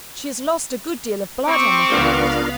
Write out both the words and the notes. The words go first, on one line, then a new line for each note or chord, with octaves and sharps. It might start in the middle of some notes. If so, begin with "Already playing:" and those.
She has lost a good deal of blood, I'm afraid.'
C4 C#6 D6
C#2 B3 D4 F4 A#4 F5